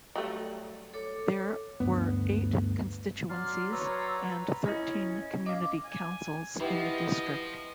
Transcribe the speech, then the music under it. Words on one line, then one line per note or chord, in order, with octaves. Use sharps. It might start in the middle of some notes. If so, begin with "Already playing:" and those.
There were eight constituencies and thirteen community councils in the district.
F#3 G3 A3
A4 C#5 D6
D2 G2 B3
F#3 D5 C6 F6
B4 C#5 A#5 E6
C#4 E4 D#5
D#5 F5 D6
G#5
F3 E4 G4 B4 D#5 F#5